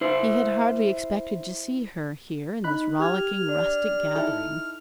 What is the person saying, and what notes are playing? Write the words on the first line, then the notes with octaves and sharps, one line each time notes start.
He had hardly expected to see her here in this rollicking, rustic gathering.
E4 C5
D#4 B5 F#6
G4 F6 G#6
D4
D#4 E4 A4